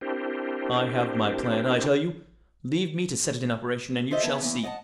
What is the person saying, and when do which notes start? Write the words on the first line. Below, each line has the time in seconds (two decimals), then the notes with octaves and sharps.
"I have my plan, I tell you; leave me to set it in operation, and you shall see."
0.01 C4 D4 E4 G4 A#4 C5
4.11 F4 A4 C5 D#5 E5
4.23 B3 G#5 A5
4.42 E2 A#2 E3
4.63 D#5 F#5 G#5 A5